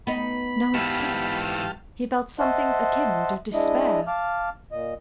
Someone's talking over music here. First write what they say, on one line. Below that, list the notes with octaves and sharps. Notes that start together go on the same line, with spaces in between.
No escape! He felt something akin to despair.
B3 D#4 B5
G#2 E3 G4 F5 A5
C5 D#5 E5 F#5 A5 C6
G#3 D4 E4 D#5
F5 A5 D6 F6
A#2 D#5